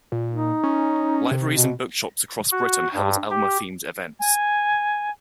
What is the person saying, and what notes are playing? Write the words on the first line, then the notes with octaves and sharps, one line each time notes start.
Libraries and bookshops across Britain held Elmer themed events.
A#2
D#4
C#4
C3
B2
F#4
G2
G4
G#5